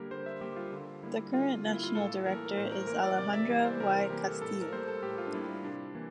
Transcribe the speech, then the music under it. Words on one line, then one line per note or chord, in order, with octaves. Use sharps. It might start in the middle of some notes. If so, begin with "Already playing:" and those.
The current National Director is Alejandra Y. Castillo.
Already playing: D3 G3 A#3 G4 A#4
D3 C5
E5
G3 A#3 G4
F4
D3
G3 A#3 E4
D3 F4
G3 A#3 F4
E4
F4
A2 A4
E3 A#3 A#4
A#4
A2 C5
A#4
E3 A#3 A#4
D5
C3 D5
E5
E3 G3 A#3
C5
C3 A#4
A#4
E3 G3 A#3 G4
A4
A2 A4
A#4
G3 A#3 C5
A4
A2 G4
F4
D4
G3 A#3 E4
A#4
C3 D4
E3 A#3